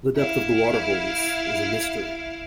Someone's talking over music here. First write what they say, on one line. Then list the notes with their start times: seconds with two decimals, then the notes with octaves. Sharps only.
The depth of the waterholes is a mystery.
0.16 E4 F5